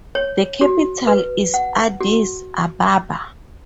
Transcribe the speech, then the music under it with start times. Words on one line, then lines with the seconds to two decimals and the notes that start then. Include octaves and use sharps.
The capital is Addis Ababa.
0.15 C#5
0.61 F#4
1.07 B4
1.54 F#5
2.01 F#4